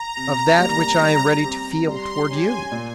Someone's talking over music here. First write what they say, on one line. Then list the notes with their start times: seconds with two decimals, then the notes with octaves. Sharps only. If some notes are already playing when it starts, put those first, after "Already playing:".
"Of that which I am ready to feel toward you."
Already playing: A#5
0.17 C3
0.58 G3 A#3
1.02 G3
1.44 C4 G4
1.87 G3 C6
2.29 C#4 G#5
2.34 G4
2.72 A#2